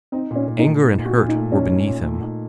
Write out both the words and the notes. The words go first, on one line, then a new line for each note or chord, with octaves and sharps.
Anger and hurt were beneath him.
C4 D#4
A#2 C#4
A#2
D#4
A3
D#4
A#2
F#4
A#2
D#4
A3
C#4 D#4
A#2
A#2
A3
D#4